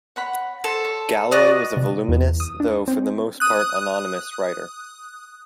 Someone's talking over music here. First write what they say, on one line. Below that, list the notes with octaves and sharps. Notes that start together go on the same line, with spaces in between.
Galloway was a voluminous, though, for the most part, anonymous writer.
C#5 F#5 B5
A4 C5
C#5
B3 F#4 D5 D#5 F#6
C3
E2
D#6
D4
C4
D#6 F#6